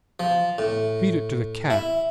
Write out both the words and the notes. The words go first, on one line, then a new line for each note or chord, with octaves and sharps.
"Feed it to the cat."
F3
A2
E4